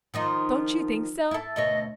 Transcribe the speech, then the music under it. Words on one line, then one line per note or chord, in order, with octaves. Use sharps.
Don't you think so?
D#3 F3 D#4
E4 A4
D2 B2 C#5 D#5